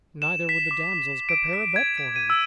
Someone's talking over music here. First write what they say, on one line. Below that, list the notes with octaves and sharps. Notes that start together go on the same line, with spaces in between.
Neither would the damsels prepare a bed for him.
E7
B6
D6
D7
B6
G#6
D7
D#7
E6